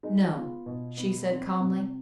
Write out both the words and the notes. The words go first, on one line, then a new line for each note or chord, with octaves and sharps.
"No," she said, calmly.
G#3 D#4
B3 F4
B2
B3
C4
C3